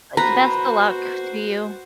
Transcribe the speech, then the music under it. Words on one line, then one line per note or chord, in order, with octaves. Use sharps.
But, the best of luck to you.
F#4 B4 C5 A#5